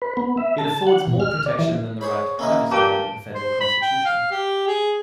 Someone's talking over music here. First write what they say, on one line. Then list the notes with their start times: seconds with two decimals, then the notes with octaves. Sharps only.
It affords more protection than the right to privacy under the Federal Constitution.
0.02 B4
0.17 B3
0.37 E5
0.58 A5
0.87 F#5
1.07 B2
1.20 F6
1.46 D5
1.59 E3
2.01 G#4 C5 C#5 B5
2.39 A#3 C#4 E4 D#5
2.72 G2 A#2 G4 A5 D7 G7
3.35 C5
3.61 B5
3.82 G5
4.06 F5
4.31 G4
4.67 G#4